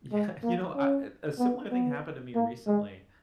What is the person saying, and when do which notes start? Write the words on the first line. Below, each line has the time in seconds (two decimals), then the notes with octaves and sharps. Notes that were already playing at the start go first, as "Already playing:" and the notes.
Yeah. You know, I a similar thing happened to me recently,
0.12 G#3
0.44 A#3
0.75 C#4
1.39 B3
1.71 B3
2.35 A#3
2.67 G#3